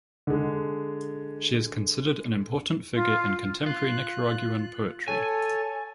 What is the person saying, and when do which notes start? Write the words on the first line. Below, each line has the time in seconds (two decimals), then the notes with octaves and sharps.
She is considered an important figure in contemporary Nicaraguan poetry.
0.27 D3 G#3
2.94 F4
3.66 F4 F#6
5.08 A4 C#5 G#5